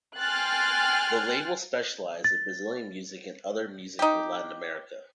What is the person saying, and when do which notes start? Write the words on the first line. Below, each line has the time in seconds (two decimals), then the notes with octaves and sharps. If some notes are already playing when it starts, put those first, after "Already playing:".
The label specialized in Brazilian music and other music of Latin America.
0.19 G5 G#5 C6 F6 F#6 A6
2.24 A6
3.99 D#4 G4